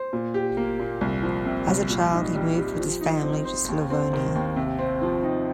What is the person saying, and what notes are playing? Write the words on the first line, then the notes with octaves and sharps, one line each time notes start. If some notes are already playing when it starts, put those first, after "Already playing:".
As a child, he moved with his family to Slavonia.
Already playing: C5
A#2
G4
A#3
A#2
C2
F3
C3
C2
A#2
D#4
G3
G4
F3
D#4
C4
C5
D#2
C4
D#3
D#2
C3
C4
F3
D#4